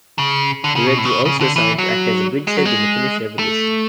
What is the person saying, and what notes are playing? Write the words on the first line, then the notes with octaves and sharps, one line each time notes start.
The Reds were also assigned to act as a bridgehead in the Finnish revolution.
C#3
D3
C#3
B2
A2
C#3
B2
C#3
D3
E3
F#3
G#3
F#3
G#3
A3